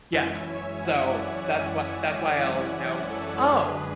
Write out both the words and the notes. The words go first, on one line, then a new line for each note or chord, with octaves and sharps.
yeah, so, that's what that's why I always know, oh
F#2 E3 G#3 C#4 E4 E5 G#5
C#5 E5
C#5 E5
G#5
F#5
E5
D5 F#5
E5 G#5
D5 F#5
A4
A4
F#2 D3 G#3 D4 G#4 B4